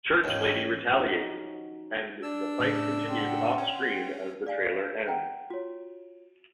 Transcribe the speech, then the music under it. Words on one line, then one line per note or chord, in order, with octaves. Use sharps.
Church Lady retaliates and the fight continues offscreen as the trailer ends.
D#2 G#2 E3 C#4 C#5 F5
F3 C#4 D#4 F#4 G4
D4 E6
A2 C#3
F#5 G5 C6
C#4
D5 F5 G#5
F#5 G5 A#5
F4 F#4 C#5